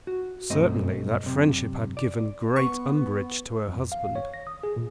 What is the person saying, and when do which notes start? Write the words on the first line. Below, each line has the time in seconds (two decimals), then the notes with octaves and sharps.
Certainly that friendship had given great umbrage to her husband.
0.07 F#4
0.50 B1 G2 A3 C4 D#5
1.24 F#2 C3
1.97 D5
2.56 B3 C#6
3.68 F2
3.92 F5
4.16 C#5
4.34 A#6
4.47 D#6
4.63 G#4
4.76 A#2